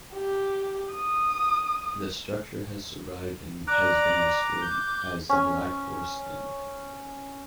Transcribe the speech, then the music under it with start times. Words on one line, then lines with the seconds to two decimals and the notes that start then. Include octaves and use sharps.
The structure has survived and has been restored as the Black Horse Inn.
0.14 G4
0.93 D#6
3.68 D5 A#5 D6 F#6
4.61 D6 G6
5.29 C#4 G#5